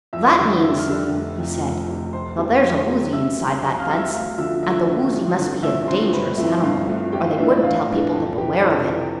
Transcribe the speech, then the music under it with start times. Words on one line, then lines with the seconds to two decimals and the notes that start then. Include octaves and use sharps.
"That means," he said, "that there's a Woozy inside that fence, and the Woozy must be a dangerous animal or they wouldn't tell people to beware of it."
0.13 F2 E5 E6
0.38 D3 G3 D4
0.63 F2 E5 E6
0.79 F6
0.88 D3 G3 D4 E5 E6
1.12 F1
1.38 F2 C3 F3
1.63 F1
1.88 F2 C3 F3
2.13 F1 C5 C6
2.38 E2 B2 G3
2.63 F1
2.88 E2 B2 G3
3.13 B1 E5 E6
3.37 B2 G3 C4
3.63 B1
3.80 F5 F6
3.88 B2 G3 C4
3.96 E5 E6
4.13 D2 F5 F6
4.38 D3 F3 E5 E6
4.63 D2 E5 E6
4.87 D3 F3
5.13 A1
5.38 G2 D3 F3 C4
5.63 A1 E5 E6
5.88 G2 D3 F3 C4 C5 C6
6.13 G1 B4 B5
6.38 G2 F3 A3 C4 E4 E5
6.63 G1 F4 F5
6.88 G2 F3 A3 C4
7.12 A1 G4 G5
7.25 F4 F5
7.37 A2 E3 B3 D4 E4 E5
7.50 D4 D5
7.63 A1 F4 F5
7.88 A2 E3 B3 D4
8.13 F2 A4 A5
8.38 C3 G4 G5
8.41 E3
8.62 F2 A4 A5
8.88 C3 E3 A4 A5